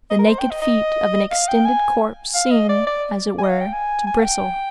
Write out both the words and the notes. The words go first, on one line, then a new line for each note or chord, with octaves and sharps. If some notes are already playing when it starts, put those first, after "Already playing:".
The naked feet of an extended corpse seem, as it were, to bristle.
D#5
A#4
C5
G5
D#5
D#5
F5
G5
G#5
F5
D#5
D5
D5
G#5
D#5
F5
G5
G#5
G#5
F5
G5